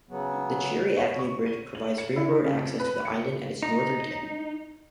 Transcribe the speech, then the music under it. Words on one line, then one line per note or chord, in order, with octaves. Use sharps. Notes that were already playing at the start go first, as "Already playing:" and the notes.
The Cherry Avenue Bridge provides railroad access to the island at its northern tip.
C#3 F#3 B3
C#5
C#6
D#7
F#7
C#7
E4
C#3
F2
B4
C#7
D#4